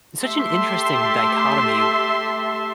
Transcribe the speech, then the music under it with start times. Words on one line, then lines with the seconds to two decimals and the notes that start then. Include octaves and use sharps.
such an interesting dichotomy,
0.22 A3 G4 E5 A5 C6